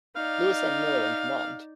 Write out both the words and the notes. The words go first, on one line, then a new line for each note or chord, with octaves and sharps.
Louis N. Miller in command.
D#4 D5 F5